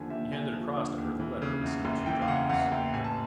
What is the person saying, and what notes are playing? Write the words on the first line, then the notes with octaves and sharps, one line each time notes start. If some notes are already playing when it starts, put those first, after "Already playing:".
He handed across to her the letter received from Giles.
Already playing: D#2 D3 F3 G#5
D#2 E5
D#2 G#5
F3
D3
D#2
E3
C#3
E2
F#1
E3 G5
F5
C#3 F#5
E2 F#5
F#1 G5
A1 G#5
A5